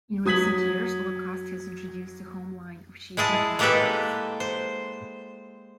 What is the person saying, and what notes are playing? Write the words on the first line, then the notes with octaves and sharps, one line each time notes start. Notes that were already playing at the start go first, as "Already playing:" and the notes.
In recent years, Lacoste has introduced a home line of sheeting and towels.
F#3 D#6 G#6 B6 F#7
G#3 E4 G#4 A5
G#3 A#3 G4 A4 B4 E5
C5